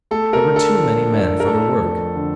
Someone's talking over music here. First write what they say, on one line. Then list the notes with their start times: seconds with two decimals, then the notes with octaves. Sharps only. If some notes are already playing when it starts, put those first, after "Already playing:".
There were too many men for the work.
0.11 A3 A4
0.33 A#4
0.45 D3
0.56 A4
0.79 F3
1.13 D4
1.40 A#4
1.47 A3 A4
1.81 F2
2.16 D3